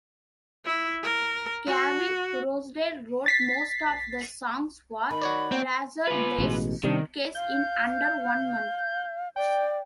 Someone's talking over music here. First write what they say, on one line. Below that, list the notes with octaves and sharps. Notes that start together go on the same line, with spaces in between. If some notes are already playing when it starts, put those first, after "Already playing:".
Gavin Rossdale wrote most of the songs for "Razorblade Suitcase" in under one month.
E4
A#4
F#4
A6 B6 C7
D#3 B5
F#4 C#5 D5
C4
F4 B4
A1 B2 G#3
C3 D#3 G3
F5 G6
D5 G5